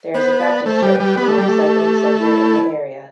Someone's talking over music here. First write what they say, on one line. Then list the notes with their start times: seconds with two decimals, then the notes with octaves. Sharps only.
There is a Baptist church and a recycling center in the area.
0.14 B3 C5
0.40 D5
0.65 A3 C5
0.82 G3
0.91 B4
1.00 G3
1.17 B3 G4
1.28 A3
1.38 G3
1.48 A3
2.19 E4